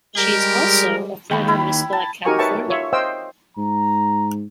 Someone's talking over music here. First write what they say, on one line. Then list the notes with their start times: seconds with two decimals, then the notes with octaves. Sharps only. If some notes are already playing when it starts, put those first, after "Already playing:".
She is also a former Miss Black California.
0.17 G3 G#3 G4 A#4
1.31 D#2 G5 B5
1.48 E4 B5
1.93 A5
2.25 D#4 F#4 G4 A#4 G#5 C#6
2.39 B4 C#5 E5 G5 A5 C#6
2.68 F4 C#5 E5
2.93 C5 D#5 F5 G5 C6 E6
3.57 G#2 A#5